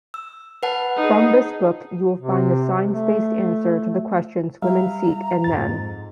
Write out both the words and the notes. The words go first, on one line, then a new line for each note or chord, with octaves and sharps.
From this book, you will find a science-based answer to the questions women seek in men.
E6
B4 F#5 A5
D#4 G#4
C3
A3
G3 E5 F5 A#5
F2 G#2 A6